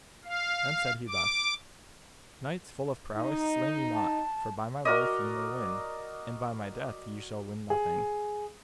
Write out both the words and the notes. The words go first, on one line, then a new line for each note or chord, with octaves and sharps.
Then said he thus: Knights full of prowess, slay me not, for by my life ye may win, and by my death ye shall win nothing.
F5
D6
D#4
A5
F#4 A#4 D5 D#5
G#4